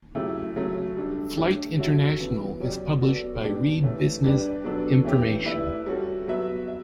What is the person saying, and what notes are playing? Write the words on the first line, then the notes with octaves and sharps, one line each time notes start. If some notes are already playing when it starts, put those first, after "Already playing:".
"Flight International" is published by Reed Business Information.
C#3 F#3 A3 E4 G4
C#3 F#3 A3 C#4
G3 D4 A4
A3 D4 G4 C#5
F#3 C#4 F#4 A4 E5
C#3 E3 B3
F#3 C#4 G4 D5
B3 F#4 A4 D5
B3 D4 G4 D5
E3 A3 C#4
G3 D4 G4 B4 D5
B2 F#3 B3 D4 A4
E3 A3 C#4 G4
A3 E4 B4 D5
G3 C#4 F#4 A4
F#3 B3 F#4 B4 E5
E5